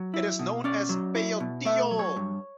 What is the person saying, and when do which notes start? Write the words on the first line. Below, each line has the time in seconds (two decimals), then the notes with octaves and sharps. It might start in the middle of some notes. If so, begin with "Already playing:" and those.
It is known as "Peyotillo".
Already playing: F#3
0.14 E4
0.39 B2
0.64 C#4 D5
0.89 F#3
1.15 E4
1.40 B2
1.65 A3 E5
1.91 F#3
1.99 C#5
2.16 G2